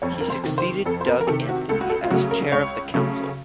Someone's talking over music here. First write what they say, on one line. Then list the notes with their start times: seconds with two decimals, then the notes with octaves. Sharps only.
He succeeded Doug Anthony as chair of the council.
0.02 F2 C#5
0.21 A#4
0.30 C5
0.44 C3 D#3
0.58 C5
0.86 F2 A4
1.01 C5
1.07 A#4
1.21 A#4
1.27 C3 D#3 A4
1.49 F#4
1.69 C#2 A4
1.81 F#4
1.90 A4
2.04 F4
2.10 C#3 F#3 A3 F#4
2.31 A#4
2.52 C#2 C#5
2.94 C#3 F#3 A3